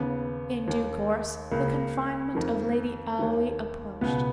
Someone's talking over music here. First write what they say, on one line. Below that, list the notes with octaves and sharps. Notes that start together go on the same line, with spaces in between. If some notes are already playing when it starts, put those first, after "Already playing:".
In due course, the confinement of Lady Aoi approached.
Already playing: D#2 C#3 B3
D#2 D#3
C#2 C#3 A#3
F2 D#3
D#2 D#3
C#2 B2 B3